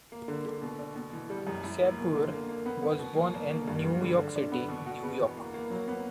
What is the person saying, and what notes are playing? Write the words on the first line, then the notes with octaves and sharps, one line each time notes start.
Sabur was born in New York City, New York.
A#3
D3
D3
B2
D4
B2
E3
G3
F#2
E4
A#3
B2
D3
A#3
A#3
B3
B3
B2
A#3
A#3
A#3
G2
G2
D3
D3
D4
B3
B2
F#4
B3
E2
A#3
A#3
F#3
B3